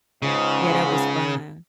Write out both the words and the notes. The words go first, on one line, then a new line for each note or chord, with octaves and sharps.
yeah, that was fun,
C#2 G#2 C#3